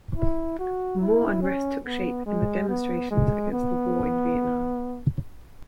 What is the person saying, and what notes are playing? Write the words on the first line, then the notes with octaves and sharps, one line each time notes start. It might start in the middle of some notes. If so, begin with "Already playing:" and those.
More unrest took shape in demonstrations against the war in Vietnam.
E4
F#4
E4
C#4
B3
G#3
B3
G#3
B3